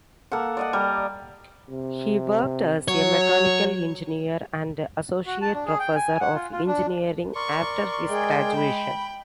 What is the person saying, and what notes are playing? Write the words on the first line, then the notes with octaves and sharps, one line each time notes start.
He worked as a mechanical engineer and associate professor of engineering after his graduation.
A#3 A4 F#5
D5 D#5 F#5
G3 A#5
C3
F#3 C#5
F#4
A5
D4
G#4
G5
G#5
F#5
F4
F4
D4
A#4 D5 C6 C#6
G#3 G#4 G5
B5